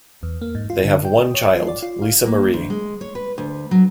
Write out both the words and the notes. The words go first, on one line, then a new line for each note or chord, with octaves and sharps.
They have one child, Lisa Marie.
E2
A#3
G#2
F4
D3
G5
D#6
C#5
F4
D5
F4
F5
A#3
D2
G#3
C#5
B4
D2
F#3